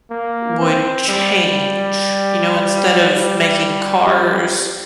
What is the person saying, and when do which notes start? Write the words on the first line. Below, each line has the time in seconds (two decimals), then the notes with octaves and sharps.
would change. You know, instead of making cars
0.10 A#3
0.60 C4
1.09 G3
3.06 G3
4.04 G3